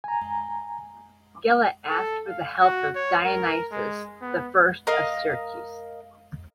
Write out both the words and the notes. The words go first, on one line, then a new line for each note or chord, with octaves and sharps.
Gela asked for the help of Dionysius the First of Syracuse.
G#5 A#5
A4
F5
F#4
C#5
A#4
G#3
B3
A#4 D#5 F5